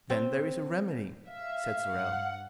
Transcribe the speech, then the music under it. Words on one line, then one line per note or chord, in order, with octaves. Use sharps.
"Then there is a remedy," said Sorel.
C4
E5 F5
G2 F#5